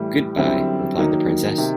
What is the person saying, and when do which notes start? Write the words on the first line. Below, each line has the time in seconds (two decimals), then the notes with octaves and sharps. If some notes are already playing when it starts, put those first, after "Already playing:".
"Good-bye," replied the princess.
Already playing: A2 E3 G3
0.37 F#2 D3 G3 C4 E4
0.97 D#3 F#3 A#3 D#4
1.58 C3 D#3